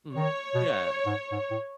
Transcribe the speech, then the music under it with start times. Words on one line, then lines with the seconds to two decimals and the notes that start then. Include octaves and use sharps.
Mhm, yeah.
0.15 D#3 C#5
0.55 B2
1.06 G#2
1.32 G#2
1.51 A2